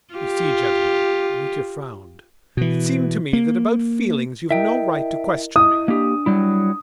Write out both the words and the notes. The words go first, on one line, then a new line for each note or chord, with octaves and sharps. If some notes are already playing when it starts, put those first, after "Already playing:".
You see, gentlemen"--Mitya frowned--"it seems to me that about feelings you've no right to question me.
F4 G4
B2 E3
A#3
E4 A#4 D#5 E5 G5
E4 D#5 D#6
A#3 D4 G4
F#3 G3 E4